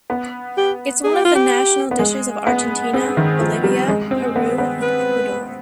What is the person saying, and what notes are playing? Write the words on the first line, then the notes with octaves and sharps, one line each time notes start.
It's one of the national dishes of Argentina, Bolivia, Peru and Ecuador.
B3
G4
G#4
G4
F4
G4
B3
G#3
B3
C4 G#4
D#3
F3
G3
G#3
C4
B3
B3
B4